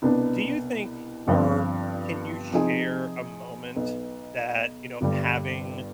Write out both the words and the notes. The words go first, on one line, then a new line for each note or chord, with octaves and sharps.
do you think or can you share a moment that, you know, having
C2 B2 B3 D4
G1 G2 F3 C4 F4
C3 F3 C4 D#4 G#4
B1 B2 B3
G1 G2 D3 G3